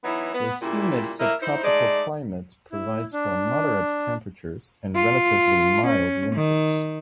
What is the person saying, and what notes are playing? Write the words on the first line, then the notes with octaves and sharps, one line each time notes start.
The humid subtropical climate provides for moderate temperatures and relatively mild winters.
E3 F#3 B3 D#4 E4
B3
A#2 C#3 G3 E4
A2 A#3 E4 A#4 D#5 E5
D#4 E4 C5
G#3 A3 D#4 D5
E4
D4
F4
C#4
D#3